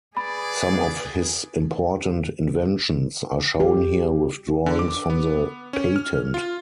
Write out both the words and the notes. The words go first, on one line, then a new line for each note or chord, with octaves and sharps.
Some of his important inventions are shown here with drawings from the patent.
G#4 B4 D5 B5
G4
D3
D6
B3
C#4
F6
F4